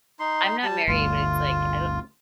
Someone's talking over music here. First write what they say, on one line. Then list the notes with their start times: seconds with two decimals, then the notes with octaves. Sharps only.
I'm not married, but it's, like, I don't
0.19 D#4 C6
0.63 G3 A5
0.88 G1 D2 F4